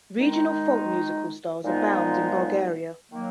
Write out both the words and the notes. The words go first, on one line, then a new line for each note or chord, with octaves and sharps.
Regional folk musical styles abound in Bulgaria.
D#3 G#3 D#4
A#2 F3 G#3 B3 D#4
D#3 F#3 A#3